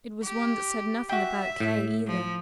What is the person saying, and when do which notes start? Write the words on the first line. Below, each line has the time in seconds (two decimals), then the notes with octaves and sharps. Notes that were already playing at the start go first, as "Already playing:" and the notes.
It was one that said nothing about Kay either.
0.23 G4
1.10 F#4 E5 G5
1.60 A2
2.07 F3